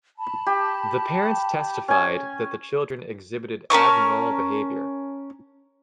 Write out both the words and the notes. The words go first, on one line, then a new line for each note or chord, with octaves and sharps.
The parents testified that the children exhibited abnormal behavior.
A5 B5
G4
C#4 G#5
C#4 A#4 A5 C#6